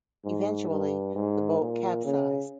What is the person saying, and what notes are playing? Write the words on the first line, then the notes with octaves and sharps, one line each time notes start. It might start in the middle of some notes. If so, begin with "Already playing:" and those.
Eventually the boat capsized.
G#2
G2
G#2
A#2
C#3